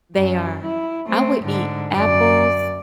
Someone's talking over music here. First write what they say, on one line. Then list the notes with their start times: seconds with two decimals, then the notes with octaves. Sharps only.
They are. I would eat apples,
0.16 F#2
0.64 E4
1.07 A3 C4
1.42 G#2 D3
1.93 F#2 D5